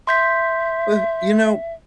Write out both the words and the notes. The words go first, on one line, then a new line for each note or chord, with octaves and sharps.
w you know,
E5 C6 G6 B6